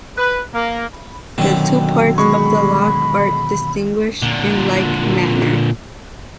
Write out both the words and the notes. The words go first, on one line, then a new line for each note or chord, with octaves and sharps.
The two parts of the lock are distinguished in like manner.
B4
A#3
B2 D3 D#3 F#3 C#4 G5
G#3 B5 C#6
A#2 D3